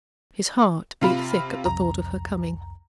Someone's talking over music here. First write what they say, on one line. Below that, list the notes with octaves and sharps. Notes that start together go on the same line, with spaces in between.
His heart beat thick at the thought of her coming.
C3 F4 B5
C2 F2 A#5